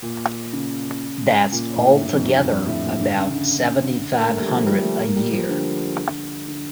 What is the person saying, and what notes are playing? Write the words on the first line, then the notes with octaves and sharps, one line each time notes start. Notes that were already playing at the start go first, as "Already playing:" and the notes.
That's altogether about seventy-five hundred a year.
A#2
C#3
A#2
A2
G2
F2
G2
F2
F2
A2
A#2
D3
C#3
D3
A#3
A3
G3
F3
G3
A3
A#3
G3
F3
D3
D3